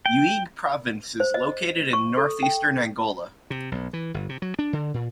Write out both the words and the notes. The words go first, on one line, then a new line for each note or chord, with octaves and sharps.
Uige Province is located in northeastern Angola.
G5
C5
D#5
C#6
A4
G5
C3
B1
E3
G1
C3
F#3
D4
D3
A#2